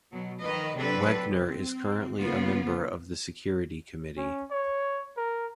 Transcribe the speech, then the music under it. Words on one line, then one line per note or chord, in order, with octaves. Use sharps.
Wegener is currently a member of the Security Committee.
B2 F#3
D#3 F3 B4 D#5
C3 F#3 C4 D4 A4 B4
C4
C#3 A#3 B3 F4
C#4
C#5
A#4